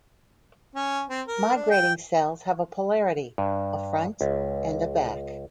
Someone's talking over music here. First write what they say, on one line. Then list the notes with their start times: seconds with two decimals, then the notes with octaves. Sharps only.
Migrating cells have a polarity-a front and a back.
0.75 C#4
1.09 C4
1.28 A#4
1.55 D4
1.70 G5
3.38 G2
4.21 C#2